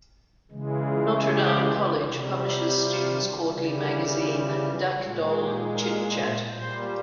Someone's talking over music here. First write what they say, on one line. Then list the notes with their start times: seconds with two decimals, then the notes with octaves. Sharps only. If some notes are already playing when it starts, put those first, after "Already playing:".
Notre Dame College publishes students' quarterly magazine "Dhak Dhol - Chit Chat".
0.51 C#3 E3 G#3
0.89 F4
1.26 G4
2.01 C3 G3
2.39 G4
2.76 F4
3.51 C#3 E3 G3
3.89 F4
4.26 F4
4.64 F4
5.01 A#2 G#3 F4
5.39 G4
5.77 A#4
6.15 C5
6.52 A#2 G3 C5